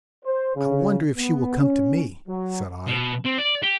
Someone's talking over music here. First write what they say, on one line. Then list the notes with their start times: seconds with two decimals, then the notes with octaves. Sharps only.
"I wonder if she will come to me?" said I.
0.24 C5
0.56 C#3
1.17 B3
1.60 C#4
2.28 F#3
2.87 B2
3.25 C4
3.38 D5
3.63 G4